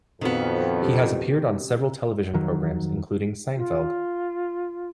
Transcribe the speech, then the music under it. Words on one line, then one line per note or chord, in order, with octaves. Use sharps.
He has appeared on several television programs, including "Seinfeld".
F2 A#2 D#3 B3 C4 F#4
C3 C#4 G4
F2 D#3 F#3
F4